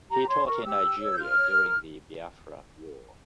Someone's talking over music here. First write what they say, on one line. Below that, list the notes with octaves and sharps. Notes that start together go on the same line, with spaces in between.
He taught in Nigeria during the Biafra War.
G4 A#5
C#5 C6
A#4 C#6
G4 E6
G4
C#5
G6
F4 F6
C#5
A#4